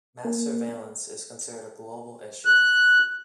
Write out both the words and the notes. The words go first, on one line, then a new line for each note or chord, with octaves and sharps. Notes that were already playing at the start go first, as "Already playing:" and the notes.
Mass surveillance is considered a global issue.
A#3
F#6